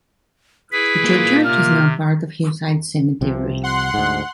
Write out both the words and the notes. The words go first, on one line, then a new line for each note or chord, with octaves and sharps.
The churchyard is now part of Hillside Cemetery.
E4 G#4 B4 B6
A#3 F4
C3 F6
C2 C3 F3
F#5 C6 F#6
D2 G#2